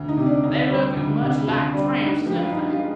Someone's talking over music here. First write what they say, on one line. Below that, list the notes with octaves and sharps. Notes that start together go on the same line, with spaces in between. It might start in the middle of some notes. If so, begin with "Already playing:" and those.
They looked as much like tramps as anything.
Already playing: D2
D#4
C3
D4
D2 D#4
G3
D2
C3
D2 F4
G3 D4
G2 D#4
F3 G4
F4
G2 D#4
F4
G#3